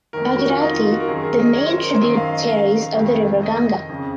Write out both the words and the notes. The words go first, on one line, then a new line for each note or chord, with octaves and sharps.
Bhagirathi the main tributaries of the river Ganga.
F2 D#3 A#4
F#4
F4
D#4
F4
F#4
A#4
F#2 D#3 G#4
A#4
D#5
C#5
C5
A#4
C5
F#2 D#3 D#5
F5
D#5
F5
F2 C3 D#3
D#5
F2 C#3